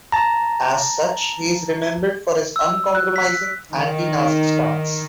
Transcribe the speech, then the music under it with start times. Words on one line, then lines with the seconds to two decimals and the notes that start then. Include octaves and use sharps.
As such he is remembered for his uncompromising anti-Nazi stance.
0.12 A5 A#5
2.56 E6
2.95 F#6
3.16 B6
3.74 D#3